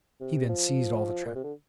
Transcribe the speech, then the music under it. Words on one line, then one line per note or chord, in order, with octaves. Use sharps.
He then seized all the trout.
C3
F3
A#2
C3
D3